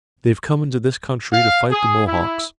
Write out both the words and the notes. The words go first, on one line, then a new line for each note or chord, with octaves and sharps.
They have come into this country to fight the Mohawks.
F5
G#4
E4